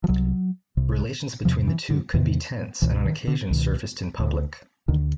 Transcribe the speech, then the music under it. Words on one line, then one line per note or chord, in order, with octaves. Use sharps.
Relations between the two could be tense, and on occasion surfaced in public.
F3
C2 C3 F#3
C2 C3
E2 C3 F3
E3
D3
E2 C3 D#3
C#2 B2 E3
D#3
D3
C#2 B2 D#3
D2 D3
D2 D3 D#3